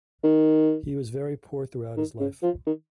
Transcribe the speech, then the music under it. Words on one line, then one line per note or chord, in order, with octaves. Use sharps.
He was very poor throughout his life.
D#3
D#3
C#3
F3
D#3